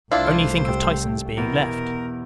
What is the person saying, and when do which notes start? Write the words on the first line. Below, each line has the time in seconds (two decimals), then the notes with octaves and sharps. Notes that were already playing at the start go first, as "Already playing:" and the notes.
Only think of Tyson's being left!
0.12 C2 A3 D4 E4 F4 C5
0.65 G4 E6
1.37 E2 B2 A#4